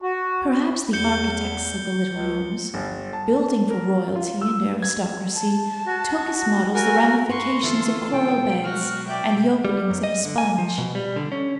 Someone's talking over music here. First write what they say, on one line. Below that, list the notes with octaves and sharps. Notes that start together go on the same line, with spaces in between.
Perhaps the architects of "the little rooms," building for royalty and aristocracy, took as models the ramifications of coral beds, and the openings in a sponge.
F#4
E2 G6 C#7 G7
C#2
G1
A5
A#4
F4
E6
G#6
A5
F#4
F#4 A#4 G#5
G2 B4 C6 C#6
D3 E3 B3 E4 F4 A4
B2 G5
F#3 G#3 F#4 F6
D5 E5 G5
G3
F#2
D#5
D3
G#5
F3
B2
G3
D3
C#4